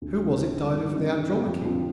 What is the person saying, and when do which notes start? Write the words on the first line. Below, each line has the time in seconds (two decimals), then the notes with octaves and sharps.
Who was it died of "The Andromache"?
0.02 D2
0.19 C3 G3
0.38 D2
0.56 C3 G3
0.73 G2
0.92 D3 G3 C4 D#4
1.10 G2
1.28 D3 G3 C4 D#4
1.46 F2
1.64 D3 F3 C4